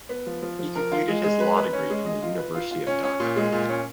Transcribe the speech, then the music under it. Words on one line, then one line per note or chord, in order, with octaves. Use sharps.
He completed his law degree from the University of Dhaka.
B3
F3
F3
F3
A#4
F4
G#3
G#3
B4
B4
C#4
G#3
D#5
F4
B4
F4
F4
C#4
C#4
A#2
G#3
A#2
C#4